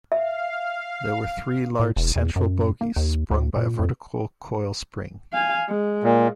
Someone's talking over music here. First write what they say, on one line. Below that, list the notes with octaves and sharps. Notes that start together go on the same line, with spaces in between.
There were three large central bogies, sprung by a vertical coil spring.
E5 F5
A2
E1
E2
F#2
A#3
D#2
D2
A#2
F2
F5 G#5
G#3
A#2